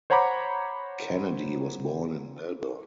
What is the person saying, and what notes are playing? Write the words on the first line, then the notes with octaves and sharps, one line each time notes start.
Kennedy was born in Melbourne.
C5 C#5 F#5 A#5 B5 D6